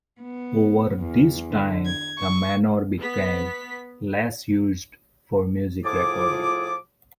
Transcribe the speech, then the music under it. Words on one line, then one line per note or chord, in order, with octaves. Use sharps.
Over this time the manor became less used for music recording.
B3
E2
D3
G#6
C#6
B3 B6
A2 F3 F4 G#4 D6